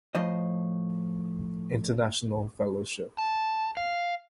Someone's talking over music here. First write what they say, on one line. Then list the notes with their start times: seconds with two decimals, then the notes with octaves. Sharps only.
International Fellowship.
0.15 A2 F3 C5 D#5
3.18 A5
3.77 F5